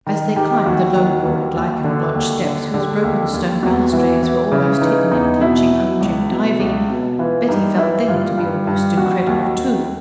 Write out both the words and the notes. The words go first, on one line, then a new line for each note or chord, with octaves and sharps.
As they climbed the low, broad, lichen-blotched steps, whose broken stone balustrades were almost hidden in clutching, untrimmed ivy, Betty felt them to be almost incredible, too.
D#3
D#3 G4
D#2 F#4
D#3
D#2
D#2
D3
D#2
D3
D3 G4
D#2
D#2
E2 F#4
E3
E3
C#3 E4
E3 D#4
E2 D#4
B2 E4
B2
C#2
B2
C#2
B2
E3 F4
G2 D#4
E3 E4
G2 F4
G2
G2
D#2 F#4
D#2
D#2